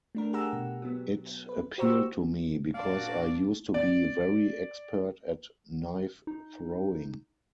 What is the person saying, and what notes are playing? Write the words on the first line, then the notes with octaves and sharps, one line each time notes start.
It appealed to me because I used to be very expert at knife throwing.
A3 D4 A#4
G4 G#4 F#5 A#5 E6
B2
F#3 B3
B4
F#4 G4 C5 A#5 C#6 E6
A#2 A#3 D4 F#4 D5 F5
D5
D#4